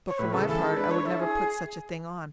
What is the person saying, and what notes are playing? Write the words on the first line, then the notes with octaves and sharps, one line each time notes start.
But, for my part, I would never put such a thing on.
C#5
A2 B4
C#3 A4
E3 A4
G#3
D4 B4
C#5
E4 A4
G#4